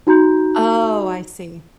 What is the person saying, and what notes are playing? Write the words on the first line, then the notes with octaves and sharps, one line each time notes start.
Oh, I see.
D#4 F#4 A#5 G6